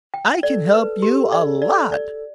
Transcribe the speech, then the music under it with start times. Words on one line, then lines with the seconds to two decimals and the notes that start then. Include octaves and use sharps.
"I can help you a lot."
0.14 G5
0.43 A4 D5
0.74 B4
1.02 G4
1.32 D5
1.62 D5
1.92 D5